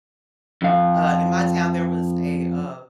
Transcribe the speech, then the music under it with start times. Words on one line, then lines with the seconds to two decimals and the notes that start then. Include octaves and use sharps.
uh, in my town there was a, uh,
0.62 F2 F5